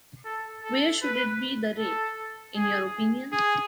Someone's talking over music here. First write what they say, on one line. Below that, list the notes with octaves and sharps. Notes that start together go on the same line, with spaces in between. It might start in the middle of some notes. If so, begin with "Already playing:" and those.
Where should it be the rate, in your opinion?
A4
A4
B4
A4
G#4
G#4